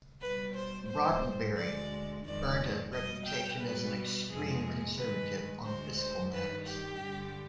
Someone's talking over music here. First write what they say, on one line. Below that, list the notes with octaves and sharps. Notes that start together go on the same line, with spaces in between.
Roddenbery earned a reputation as an extreme conservative on fiscal matters.
B2 G3 B4
C5
G#2 G3 C5
D2 D3 G#3 D5
F2 D#3 G#3 D5
B2 G3 D#5
G5
B2 G3 B4
F2 C3 F3 G#3 G#4
G2 D#3 G#3 B4
D2 D3 G#3 C5
C5
G2 D#3 G3 B4
G4
G2 D3 G3